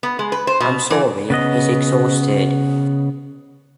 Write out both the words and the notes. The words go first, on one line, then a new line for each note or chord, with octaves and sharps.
I’m sorry, he’s exhausted.
B3
G#3
B4
C5
B2
E3
C#3 B3 D#5